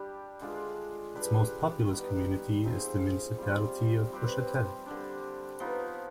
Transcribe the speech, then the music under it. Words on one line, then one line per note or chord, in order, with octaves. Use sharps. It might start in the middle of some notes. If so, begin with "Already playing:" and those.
Its most populous community is the municipality of Boischatel.
Already playing: G3 D4 G4
D3 G#3 D4 F4
G3 D4 G#4 B4
D#3 G3 B3
F3 C4 D#4 G#4
G3 C4 F4
G3 C4 G4 B4
D3 G3 D4
F3 B3 D#4